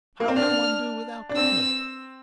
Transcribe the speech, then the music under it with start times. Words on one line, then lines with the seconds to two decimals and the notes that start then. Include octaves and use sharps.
How can one do without government?
0.20 A#3
0.28 C4
0.36 D4 F6
1.29 D4
1.37 C4 E6